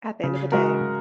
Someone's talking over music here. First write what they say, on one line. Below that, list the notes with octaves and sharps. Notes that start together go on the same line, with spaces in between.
At the end of the day.
C#3
G#3 F#4 A#4
C#3